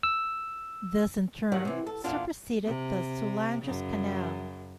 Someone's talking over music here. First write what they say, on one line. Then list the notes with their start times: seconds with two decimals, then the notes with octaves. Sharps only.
This in turn superseded the Soulanges Canal.
0.03 E6
1.52 G2 D#3 F#3 G3
1.65 C3 E3
1.87 A4
2.04 E2 A#2 A#3 D4 F4 A5
2.65 C3
3.63 F#2 C#3